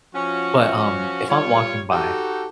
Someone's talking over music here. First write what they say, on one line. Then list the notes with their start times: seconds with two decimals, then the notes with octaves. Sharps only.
but, um, if I'm walking by,
0.15 F3 C#4 F#4
1.29 G3 F4 C#5
1.92 D#4 F#4 G4 A4